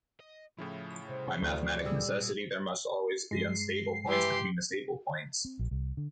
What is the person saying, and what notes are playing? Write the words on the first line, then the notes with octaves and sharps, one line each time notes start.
By mathematic necessity, there must also be unstable points between the stable points.
D#5
A2 C#3 F3 E4
C2 C5
D2 C3 A3 D5
A#2 G3 G#4 E6
G2 G#3 C7
E3 G4 C6
C4
A#1
C2
D3